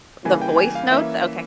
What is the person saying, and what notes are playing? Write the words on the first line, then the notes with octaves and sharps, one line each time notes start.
the voice notes? Okay.
C#3 E3 G3 A#3 G#5
G5
G#5
F5
E3 A#3 C#4 E5